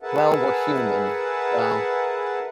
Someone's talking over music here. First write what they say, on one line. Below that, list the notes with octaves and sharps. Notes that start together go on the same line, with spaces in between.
Well, we're human, so
G#4 A#4 B4 E5 F#5 A5